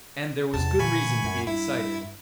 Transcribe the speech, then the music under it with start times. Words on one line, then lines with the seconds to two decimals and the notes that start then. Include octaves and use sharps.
And there was good reason to be excited!
0.54 E2 C3 A5
0.79 A#2 D3 E3 G#5 B5 C#6
1.24 F#2
1.47 G2 E4